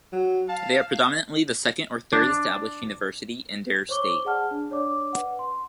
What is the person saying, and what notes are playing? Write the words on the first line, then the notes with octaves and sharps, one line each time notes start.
They are predominantly the second or third established university in their state.
F#3
F5 A5
D4
C5 C#5 C#6 D6 G7
G#4 D5 F#5 A5 F6
D4
D4 C#5 D5 D6
B4 F#5
C6